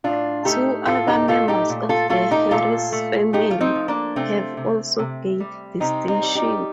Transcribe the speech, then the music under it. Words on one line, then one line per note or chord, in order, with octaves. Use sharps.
Two other members of the Harris family have also gained distinction.
A2 D4 F4
A3 D#4 G4
A2 F4 A4
D#4 G4
A3 F4 A4
D#4 G4
A#2
F4 A4
A3 F4 A4
D#4 G4
A#2 F4 A4
A3
A3 D#4 G4
F4
C4 D#4
F3
A#3 D4
C3 A3 C4
C3
C3
G3
C3 C4 D#4
C4 D#4
G3
D#4 G4